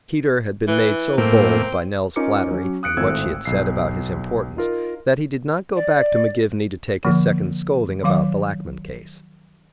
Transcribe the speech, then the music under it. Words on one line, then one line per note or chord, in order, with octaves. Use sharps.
Peter had been made so bold by Nell's flattery and what she had said about his importance, that he did not go back to McGivney to take his second scolding about the Lackman case.
E3
A2 A#3 C4
C#4 D#4 F4 A#4 D6 C#7
F#3 C#4
D#6 F#6 C#7 D7
G#1 A2 A3 C4 E6 G#6
B1 C7
D#4 F4 A#4
D5
D3 F3 A#3
D#3 F#3 F5 D6